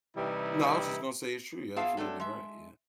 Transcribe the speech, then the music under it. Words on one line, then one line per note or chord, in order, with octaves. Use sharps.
No, I was just gonna say it's true, you're absolutely right, yeah.
C3 E3 G3 D#4 E4
B3 F4 G#4 E5 F5 A5
F#3 A3 C4 D4
G#3 E5